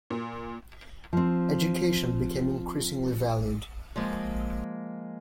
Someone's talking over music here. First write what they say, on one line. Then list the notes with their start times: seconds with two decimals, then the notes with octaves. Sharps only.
Education became increasingly valued.
0.10 A#2
1.13 F3 C4
3.96 F3 G#3 A#3